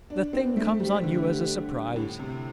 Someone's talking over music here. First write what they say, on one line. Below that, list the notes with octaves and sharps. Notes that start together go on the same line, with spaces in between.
The thing comes on you as a surprise.
D4
C4
A3
G3
D3
A2
C3